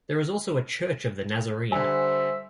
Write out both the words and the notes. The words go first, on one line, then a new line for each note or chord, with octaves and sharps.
There is also a Church of the Nazarene.
D3 G3 C5 E5 G#5